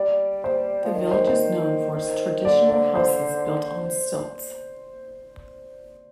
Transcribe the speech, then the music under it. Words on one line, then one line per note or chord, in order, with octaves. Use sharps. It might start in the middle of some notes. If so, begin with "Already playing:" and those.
The village is known for its traditional houses built on stilts.
Already playing: G3 D5
C5
F3
D#3
C5
C5
D#3
D3 D5
D5
C5